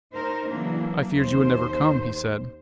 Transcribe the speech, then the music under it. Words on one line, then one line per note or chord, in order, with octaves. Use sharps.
"I feared you would never come," he said.
D#4 A#4 C5
C#3 E3 F#3 A#3 D4
D#2 C5